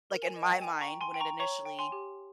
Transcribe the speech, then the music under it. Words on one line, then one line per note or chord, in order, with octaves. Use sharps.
like, in my mind, when it initially
A#4
G#5
D#5
G5
G5 G#5
A#5 C#6
G5
G#5 C6
G5
A#5 C#6
C#5 A#5 C#6
G5
G#5 C6
G4